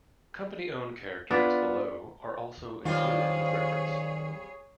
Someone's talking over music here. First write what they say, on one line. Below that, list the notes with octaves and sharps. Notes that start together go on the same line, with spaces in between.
Company owned characters below are also included with reference.
B3 D4 F4 B6
D#3 F#3 G3 C4 F4 G#4 C#5 F5